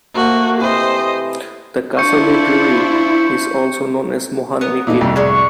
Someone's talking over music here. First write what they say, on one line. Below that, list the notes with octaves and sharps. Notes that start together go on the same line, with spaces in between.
The Kasauli brewery is also known as Mohan Meakin.
F3 A3 A#3 F#4
C3 E3 C5 D#5
D4 E4 F4 C5 C#6 G6 C#7
B3 A#4 C#5
A#2 E3 D#4 A4 F5
C2 F2 A2
G#3 D4 C#6